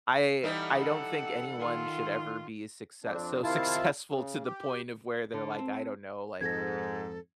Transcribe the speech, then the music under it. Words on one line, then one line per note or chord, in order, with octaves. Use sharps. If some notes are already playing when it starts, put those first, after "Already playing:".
I I don't think anyone should ever be a success so successful to the point of where they're like, I don't know, like,
E3 G3 D#4 A4 F#5
D#3 F4
F2 C4 D4
C3 D#3 E4 F4 F5 A5
C#3
G4
D3
C4
F2 G#2 A4 G#6 A#6